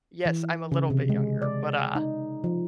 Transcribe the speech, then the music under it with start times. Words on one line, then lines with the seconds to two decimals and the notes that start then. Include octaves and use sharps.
Yes, I'm a little bit younger but, uh
0.26 E3
0.72 C#3
0.90 C3
1.09 G#3
1.42 D5
1.95 D#4
2.44 F3